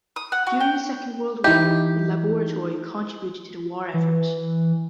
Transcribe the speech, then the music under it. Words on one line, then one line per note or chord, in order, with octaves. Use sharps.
During the Second World War, the Laboratory contributed to the war effort.
D#6
F#5
F#4
G5
E3 D#4 E4 G4
E3